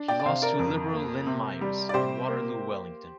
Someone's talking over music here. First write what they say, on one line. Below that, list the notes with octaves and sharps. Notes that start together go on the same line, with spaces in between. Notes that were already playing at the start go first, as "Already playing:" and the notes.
He lost to Liberal Lynn Myers in Waterloo-Wellington.
Already playing: D4
D5 G5
D5
C3 C5 F5
A#4 D5
F2 A#4
A#3
C3
G3
D5
C3 G4 C5
A#3